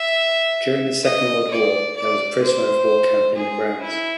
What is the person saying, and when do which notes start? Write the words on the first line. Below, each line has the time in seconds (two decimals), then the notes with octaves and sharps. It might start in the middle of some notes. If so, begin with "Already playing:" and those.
During the Second World War there was a prisoner-of-war camp in the grounds.
Already playing: E5
1.04 D#5
1.51 D5
1.96 D5
2.43 C5
3.35 G#4
3.81 E4